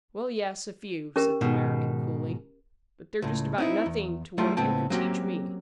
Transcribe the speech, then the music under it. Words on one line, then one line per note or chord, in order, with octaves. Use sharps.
"Well, yes, a few," said the American coolly; "but they're just about nothing to what you could teach me."
C#4 G4 A#4
G#2 B2 D#3
C#2 A2
C4 D#4 E4
E2
F#3 G3 A3 E4 F4
C#2 A2 B3 C4 G5 A5
F#3 A#3 C4 C#4 F#4 G4